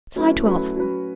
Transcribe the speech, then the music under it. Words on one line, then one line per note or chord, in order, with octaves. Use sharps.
July Twelfth.
F#3 A3 C#4 E4 B4
F#3 A3 C#4 E4 B4
F#3 C#4 F#4 B4